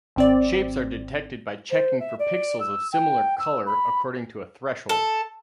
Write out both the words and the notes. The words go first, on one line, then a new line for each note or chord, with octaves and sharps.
Shapes are detected by checking for pixels of similar color according to a threshold.
G#1 C4 D5
C5
E5
D5
E6
G5
E6
B5
A4